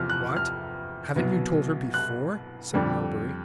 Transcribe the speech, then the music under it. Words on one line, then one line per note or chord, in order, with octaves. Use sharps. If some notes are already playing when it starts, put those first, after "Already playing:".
"What! haven't you told her before?" said Melbury.
Already playing: E2 C3 F3 F6
F#6
F6
C2 B2 F#3
F#6
F2 D3 G3